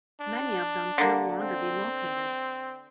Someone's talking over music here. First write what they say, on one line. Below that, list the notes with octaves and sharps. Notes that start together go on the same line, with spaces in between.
Many of them can no longer be located.
D4
D3 A#3
C4